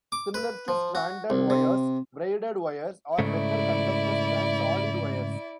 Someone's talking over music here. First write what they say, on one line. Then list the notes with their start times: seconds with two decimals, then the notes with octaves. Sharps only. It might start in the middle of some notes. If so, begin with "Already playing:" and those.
Similar to stranded wires, braided wires are better conductors than solid wires.
0.12 D6
0.34 B4
0.68 F3
0.95 F#4
1.30 C2
1.50 C3
3.19 G#2 C#3 A3 E4 D5